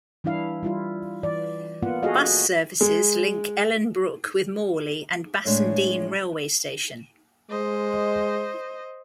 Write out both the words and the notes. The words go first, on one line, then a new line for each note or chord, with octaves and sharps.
Bus services link Ellenbrook with Morley and Bassendean railway station.
E3 G3 D4 E4 F5
G3 E4 F4
E3 D5
A#3 B3 F4 F#5
F#4 G#4 A4 D#5 F5
G#3
A2 G#3 D4 C#5
G#3 C5 D#5